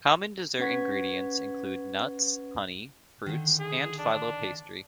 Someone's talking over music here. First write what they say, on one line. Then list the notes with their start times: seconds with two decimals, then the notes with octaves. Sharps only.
Common dessert ingredients include nuts, honey, fruits, and filo pastry.
0.60 C#4 B4 F#5 C#6 G#6 B6
3.26 D3 D#3
3.60 G#4
3.99 D4